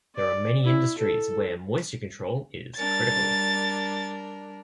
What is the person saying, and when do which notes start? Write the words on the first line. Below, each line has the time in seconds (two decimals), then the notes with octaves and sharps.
There are many industries where moisture control is critical.
0.16 D5
0.65 E4
0.98 A4
2.77 G3 D4 A#4 A6